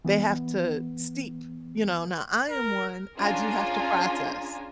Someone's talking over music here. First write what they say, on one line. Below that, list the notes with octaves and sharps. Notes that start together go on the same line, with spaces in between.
they have to steep, you know, now I am one, I do have to process,
E3 B3
A#4
C#4 D4 F4 G#4 G#5 A#5